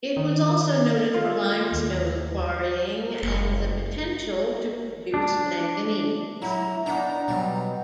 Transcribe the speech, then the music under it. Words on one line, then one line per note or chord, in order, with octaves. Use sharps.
It was also noted for limestone quarrying and the potential to produce manganese.
D#3
F4
D#2
F#1
D4
F#3 E4 A#5
B3 D4 D#4
B2 F#3 G3